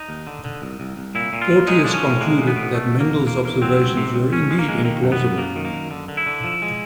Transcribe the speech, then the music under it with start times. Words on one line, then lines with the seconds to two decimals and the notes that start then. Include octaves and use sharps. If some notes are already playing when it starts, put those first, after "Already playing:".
Porteous concluded that Mendel's observations were indeed implausible.
Already playing: D#4
0.09 D#2
0.27 D3
0.44 D3
0.62 C2
0.80 C2
0.97 C2
1.15 A#2 E4
1.33 A#2
1.42 F4
1.50 A#2
1.67 G#3 D#4
1.84 F3 D4
1.94 C#4
2.03 A2
2.21 G#3 A#3
2.38 A2
2.47 B3
2.56 A2
2.73 B2 A3
2.91 E2
3.00 A#3
3.08 E2
3.26 E2 A#3
3.44 E2 A#3
3.62 F#3 C4
3.79 C#2
3.97 C3
4.15 C#2
4.32 C#2 C#4
4.50 G#3
4.59 A#3
4.68 G#3
4.85 D#3 A#3
5.03 F#2
5.12 B3
5.20 F#2
5.38 F#2 A#3
5.56 D#3
5.65 A#3
5.74 F#2
5.91 D3
6.08 D3
6.17 E4
6.26 D3
6.44 F3
6.62 G#3